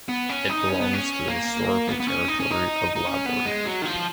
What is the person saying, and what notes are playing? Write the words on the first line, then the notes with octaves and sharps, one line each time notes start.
It belongs to the historical territory of Labourd.
B3
C#4
D#4
C#4
B3
C#4
A#3
B3
B3
C#4
D#4
C#4
D#4
D#4
C#4
B3
G#3
F#3
D#3
F3